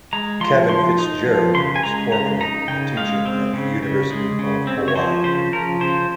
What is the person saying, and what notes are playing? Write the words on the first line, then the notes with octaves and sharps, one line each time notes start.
Kevin Fitzgerald was formerly a teacher at the University of Hawaii.
G#3 A#5
F3 C6
F3 C6
D#4
F3
C#3 C6
G#5
G#3 A#5
C#3 A#5
D#4 A#5
C#3 G5
G#3 F5
C4
C#3
C#3
G#3
C#3
C4
C#5
F3 C5
C#3 C5
F3 A#4
C#3 C5